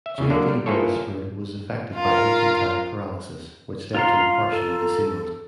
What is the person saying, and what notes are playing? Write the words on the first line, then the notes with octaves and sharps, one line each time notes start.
J. D. Beresford was affected by infantile paralysis, which left him partially disabled.
E5
E2 C#3
D3 F#3 A#3 D4
G3
A#3 E4 F4 G#4 A4 C#5
F4 A#4
F4 F5 A#5 C6
A4